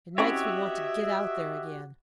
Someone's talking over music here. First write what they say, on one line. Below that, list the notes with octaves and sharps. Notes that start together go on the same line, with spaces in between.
It makes me want to get out there again.
C4 C#4 E4 F#4 G4 C#5 D#5 E5